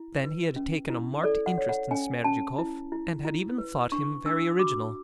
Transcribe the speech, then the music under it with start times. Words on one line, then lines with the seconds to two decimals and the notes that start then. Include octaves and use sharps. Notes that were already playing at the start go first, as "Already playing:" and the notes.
Then he had taken a marked interest in Smerdyakov, and had even thought him very original.
Already playing: E4
0.24 B4
0.56 C#4
0.90 E4
1.23 A4 D5
1.46 F#5
1.58 C#5
1.69 F#5
1.91 C#4 G#5
2.24 C#4 A5
2.58 E4
2.92 E4
3.25 E4
3.58 B4
3.92 D4 C#6
4.26 D4 E6
4.59 F#4 D6